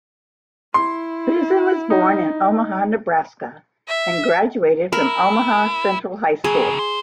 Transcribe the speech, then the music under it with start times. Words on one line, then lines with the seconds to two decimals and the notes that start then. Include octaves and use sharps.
Susan was born in Omaha, Nebraska, and graduated from Omaha Central High School.
0.74 E4 C6
1.90 D#4
3.88 E5
4.93 E4 A#4
6.44 C#3 F#3 G#4
6.79 C5